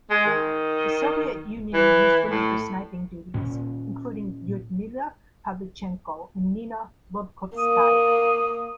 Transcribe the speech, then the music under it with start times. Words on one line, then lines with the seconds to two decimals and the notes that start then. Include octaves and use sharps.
The Soviet Union used women for sniping duties, including Lyudmila Pavlichenko and Nina Lobkovskaya.
0.10 G#3
0.26 D#3
1.74 E3
2.31 A2
3.34 A#2 C#4
7.58 A#3 D#6